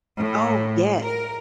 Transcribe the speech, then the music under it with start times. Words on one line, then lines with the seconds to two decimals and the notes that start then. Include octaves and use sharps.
Oh, yes.
0.17 A2
1.02 A#4